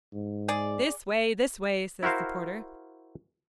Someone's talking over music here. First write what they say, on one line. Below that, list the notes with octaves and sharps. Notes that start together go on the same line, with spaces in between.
'This way, this way,' says the porter.
G#2
G#4 D5
E4 F#4 A#4 C5 F5